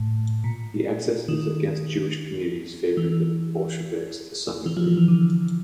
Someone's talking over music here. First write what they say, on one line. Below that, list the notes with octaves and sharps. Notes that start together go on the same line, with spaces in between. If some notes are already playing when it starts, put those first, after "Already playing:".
The excesses against Jewish communities favored the Bolsheviks to some degree.
Already playing: A2
A#2
D#3
E3
E3
F3
E3
E3
D3